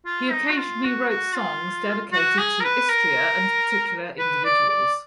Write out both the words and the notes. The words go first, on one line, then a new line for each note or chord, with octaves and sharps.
He occasionally wrote songs dedicated to Istria and particular individuals.
F4
D#4
F#4
F4
F#4
F#4
F4
F#4
G#4
A#4
B4
A#4
B4
D5
D5